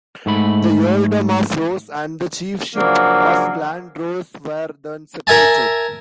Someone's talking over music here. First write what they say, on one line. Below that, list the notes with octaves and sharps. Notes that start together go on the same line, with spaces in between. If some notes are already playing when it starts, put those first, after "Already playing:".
The earldom of Ross and the chiefship of Clan Ross were then separated.
G#2 A3 B5
C#3 F3 F#3 A#3 D4
A#4 E5 G#5 A5